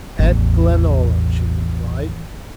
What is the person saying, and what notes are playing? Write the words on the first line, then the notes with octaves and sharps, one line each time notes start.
"At Glenalla," she replied.
A1 E2